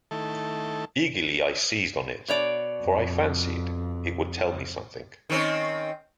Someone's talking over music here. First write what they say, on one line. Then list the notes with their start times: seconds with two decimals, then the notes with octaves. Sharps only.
Eagerly I seized on it, for I fancied it would tell me something.
0.11 D#3 A3 E4 A4
2.28 B2 C#5 D5
2.83 F2
5.30 D#3 C4 C#4